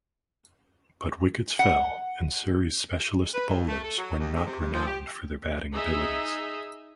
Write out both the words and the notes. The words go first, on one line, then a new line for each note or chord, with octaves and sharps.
But wickets fell, and Surrey's specialist bowlers were not renowned for their batting abilities.
F#5
B4
F2
A3
A4
F#3
D#2
G#2
C3
G2
F3
G4
D#4 G#4 D#5 E5